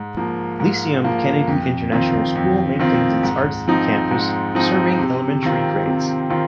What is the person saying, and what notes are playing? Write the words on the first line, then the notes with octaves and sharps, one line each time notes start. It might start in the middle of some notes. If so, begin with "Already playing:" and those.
Lyceum Kennedy International School maintains its Ardsley campus, serving elementary grades.
Already playing: G#2
F3 A#3
G#2
F3 A#3
F2
D#3 C4 F4
F2
D#3 C4 F4
G#2
F3 C4 D#4
G#2
F3 C4 D#4
C3
D#3 C4 F4
C3
D#3 C4 F4